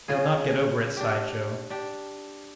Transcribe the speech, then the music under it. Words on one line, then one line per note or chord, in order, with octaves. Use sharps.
"He'll not get over it!" sighed Joe.
C#3 F4 G#4
D4 G4
D4 G4